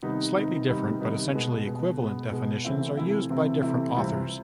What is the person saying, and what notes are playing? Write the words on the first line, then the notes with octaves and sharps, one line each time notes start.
Slightly different but essentially equivalent definitions are used by different authors.
C3 D#3 G3 B3 D#4
C3 D#3 G3 B3 D#4
C3 D#3 G3 B3 D#4
C3 D#3 G3 B3 D#4
B2 G#3 B3
B2 G#3 B3
B2 G#3 B3
B2 G#3 B3
C3 E3 A3 C4 E4
C3 E3 A3 C4 E4
C3 E3 A3 C4 E4
C3 E3 A3 C4 E4
C#2 C3 E3 G3 C4